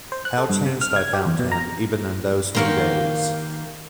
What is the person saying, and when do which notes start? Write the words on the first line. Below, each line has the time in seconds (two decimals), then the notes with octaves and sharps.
How changed I found him, even in those few days!
0.12 C5
0.25 F#6
0.38 A4
0.50 G2
0.66 C3
0.81 F6
0.96 G#6
1.13 G4
1.26 E2
1.39 B2
1.52 A#5
2.55 D#3 A#3 F#4 G4 A#4 C5 F5